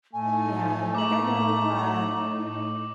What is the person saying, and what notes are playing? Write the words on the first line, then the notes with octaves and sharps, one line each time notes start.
Yeah, like, I know, uh
A2 A3 D#4 G#5
A#5 D6 F#7